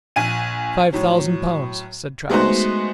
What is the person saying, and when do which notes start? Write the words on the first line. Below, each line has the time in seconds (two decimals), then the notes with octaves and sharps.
'Five thousand pounds,' said Traddles.
0.16 A#1 G#5 D#7
0.93 A2 F#3
2.30 G#3 A3 B3 D#4 F#4 C5